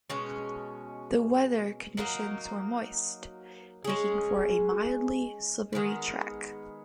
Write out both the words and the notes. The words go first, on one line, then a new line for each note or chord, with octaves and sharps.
The weather conditions were moist, making for a mildly slippery track.
B2 G#3 C#4
F#3 A#3 D#4
G#3 C#4 G#4
D#3 G#3 B3